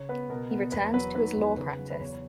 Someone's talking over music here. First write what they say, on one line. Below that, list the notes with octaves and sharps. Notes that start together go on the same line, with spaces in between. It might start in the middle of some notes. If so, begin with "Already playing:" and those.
He returned to his law practice.
Already playing: C#3 C#5
B3 B4
B2 A#4
B3
E2 B4
F#3 B4
D#3 B4
E2
C#3 B4
F#3
B4
E2 C#5